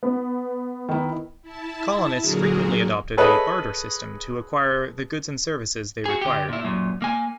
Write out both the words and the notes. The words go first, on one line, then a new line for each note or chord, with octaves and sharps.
Colonists frequently adopted a barter system to acquire the goods and services they required.
B3
D#3 E4
E4 A5
A#2 D3 F#3 F#4 G#4 A#4
G#4 A4 B4 C#5 D#5 E5
F#4 G#4
D3 G4
A#2 E4
F#2 A#2
A#3 G#5